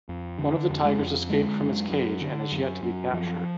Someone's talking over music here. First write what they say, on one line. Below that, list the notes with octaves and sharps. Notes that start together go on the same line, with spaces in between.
One of the tigers escaped from its cage and is yet to be captured.
F2
D3
F2
G#3
F2
D3 G#3
F#2
F#2
D3
F#2
F#2
F#2 F3